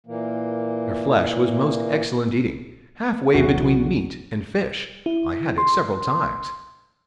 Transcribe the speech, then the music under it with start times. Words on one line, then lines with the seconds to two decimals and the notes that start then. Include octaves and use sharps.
Their flesh was most excellent eating--half-way between meat and fish: I had it several times.
0.06 A#2 E3 A#3
3.34 B1 E2 F#4
5.06 E4
5.58 C6